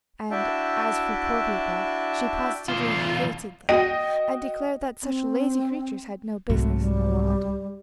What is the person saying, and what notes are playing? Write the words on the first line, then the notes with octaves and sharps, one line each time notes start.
And as for poor people she positively hated them, and declared that such lazy creatures had no business in the world.
D4 E4 F#4 E5 G5 A5
E2 F4
F#4 D#5 G5 A#6 D#7
C4
C2 G#2 F#3 A3
G3